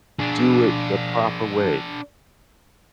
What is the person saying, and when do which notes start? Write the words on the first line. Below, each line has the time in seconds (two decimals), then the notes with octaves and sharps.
do it the proper way.
0.19 D4 G#4